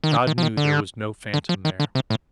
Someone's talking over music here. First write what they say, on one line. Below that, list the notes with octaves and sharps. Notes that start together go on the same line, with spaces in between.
God knew there was no phantom there!
D#3
D3
D#3
F3
D#3
D3
D3
F3
D#3
D3
C3
A2